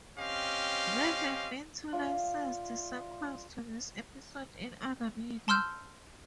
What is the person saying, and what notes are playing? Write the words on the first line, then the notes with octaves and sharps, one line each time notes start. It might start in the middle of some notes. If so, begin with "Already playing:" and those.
There have been two licensed sequels to this episode in other media.
C4 C#4 G4 D#5 F5
F4 D5 E5
A5 C6 E6 F6 G6